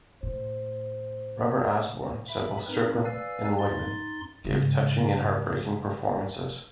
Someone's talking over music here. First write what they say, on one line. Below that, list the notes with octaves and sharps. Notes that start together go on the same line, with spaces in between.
Robert Osborne said both Stricklyn and Wightman gave "touching and heartbreaking performances".
A2 C5
E5 B5
C4 D#4 A#4 B4
B4 D5 F5 G#5 E6
F#2 D#4 C6 A6
G#2 C#3